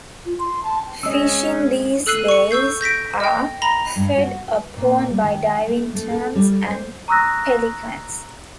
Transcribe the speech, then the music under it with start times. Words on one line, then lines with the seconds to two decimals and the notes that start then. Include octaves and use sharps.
Fish in these bays are fed upon by diving terns and pelicans.
0.25 F4
0.38 C6
0.63 A5
1.03 G#3 C4 C#4 D#5 E6
2.06 A4 E6 F#6 C7 D#7 G7
2.28 C#6 C#7
2.51 C#6 E6 G6 C7
2.81 G6 A#6 B6 D7
3.20 D#5 G5
3.62 A#5 B5 A#6 G7
3.96 G2
4.18 F#4
4.47 B4
4.77 A#2
5.10 G3
5.24 D#3
5.67 A3
5.95 A3
6.11 A4
6.35 G3
6.67 C5
7.08 A#5 C#6 D#6 E6 F#6 A#6